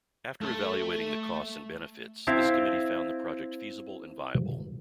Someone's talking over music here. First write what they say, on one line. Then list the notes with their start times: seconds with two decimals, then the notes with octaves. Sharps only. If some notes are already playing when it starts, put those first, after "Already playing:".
After evaluating the costs and benefits, this committee found the project feasible and viable.
0.41 A3 A4
2.27 C4 E4 E5 F5 G5 A5